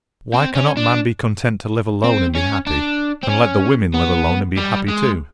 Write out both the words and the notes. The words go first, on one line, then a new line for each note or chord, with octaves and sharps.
Why cannot man be content to live alone and be happy, and let the women live alone and be happy too?
C4
C#4
D4
C4
C#4
D4
C4
C#4
B3
G3
G#3